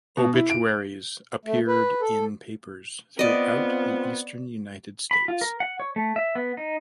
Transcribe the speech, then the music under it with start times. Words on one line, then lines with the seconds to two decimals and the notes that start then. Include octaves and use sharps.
Obituaries appeared in papers throughout the eastern United States.
0.17 B2
0.34 E4
0.50 D7
1.45 A3
1.68 B4
2.01 A4
3.19 B3 C4 F4 D5 D#5
5.11 B5
5.28 F4
5.41 A#4
5.60 F#5
5.80 C#5
5.96 A3
6.16 E5
6.35 B3
6.57 D#4